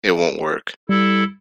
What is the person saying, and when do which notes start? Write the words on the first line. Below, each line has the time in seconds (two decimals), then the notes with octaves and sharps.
It won't work.
0.89 G3 E4 A4